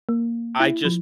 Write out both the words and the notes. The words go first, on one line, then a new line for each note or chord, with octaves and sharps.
I just
A#3
E4
F3